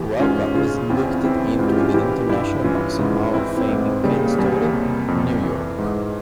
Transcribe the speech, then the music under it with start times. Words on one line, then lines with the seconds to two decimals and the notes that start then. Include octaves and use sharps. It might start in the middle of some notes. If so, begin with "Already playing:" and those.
Walcott was inducted into the International Boxing Hall of Fame in Canastota, New York.
Already playing: E2 E3 G4
0.19 G#2 C#4 F4
0.55 C#3 C#4 F4
0.89 E2 C4 E4
1.24 E3 C4 E4
1.59 G#2 F4
1.68 G4
1.78 C#4 F4
1.94 E3 E4 G4
2.29 G2 E4 G4
2.64 E3 C#4 F4
2.99 G#2
3.34 E3 C4 E4
3.57 C4 E4
3.69 G#2
3.80 G#3
4.04 C#3 G3 A#3
4.38 E2 G3 A#3
4.73 C3
5.08 F2
5.43 E3
5.78 G#2